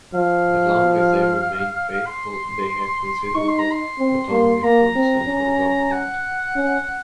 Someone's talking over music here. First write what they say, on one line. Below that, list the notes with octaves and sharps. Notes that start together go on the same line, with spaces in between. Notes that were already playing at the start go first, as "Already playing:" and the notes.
As long as they remained faithful, they had considerable autonomy from the central government.
F3 F5
C6
D#4 C#6
C6
A#5
C6
C4
A#3
A#3 A#5
C4
C#4
F#5
C#4